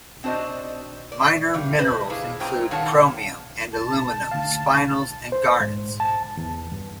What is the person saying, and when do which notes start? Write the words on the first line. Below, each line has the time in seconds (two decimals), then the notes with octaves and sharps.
Minor minerals include chromium and aluminium spinels and garnets.
0.24 C4 D4 F#4 C5 D5 D#5
1.12 D5
1.54 C#3 E3 G3
1.78 A2 G#4 B4 C5 D#5
2.10 A#3 E4 G#4
2.40 F#2 C4 F4 G#4 G5 A#5
2.71 G2 D#3 A#3 C#5 F#5 A5
3.73 A5
4.31 D2 F5
5.32 C5
5.60 G#2
6.00 A5
6.37 E2
6.72 G2